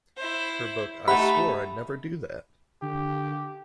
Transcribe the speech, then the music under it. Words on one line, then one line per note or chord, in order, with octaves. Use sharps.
Her book I Swore I'd Never Do That!
E4 C5
A3 D#4 G4 E5 F#5 B5
D3 G4